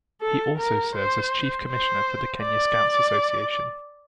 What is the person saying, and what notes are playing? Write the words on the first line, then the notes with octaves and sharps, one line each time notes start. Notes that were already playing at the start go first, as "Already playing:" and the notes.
He also serves as Chief Commissioner for The Kenya Scouts Association.
A4
A#4
C5
C5
D5